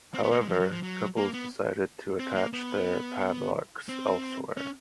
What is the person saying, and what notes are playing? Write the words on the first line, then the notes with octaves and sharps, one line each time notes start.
However, couples decided to attach their padlocks elsewhere.
C4
B3
A#3
G#3
F3
F#3
F3
F#3
A#3
B3
C4
A#3
B3
C4
C#4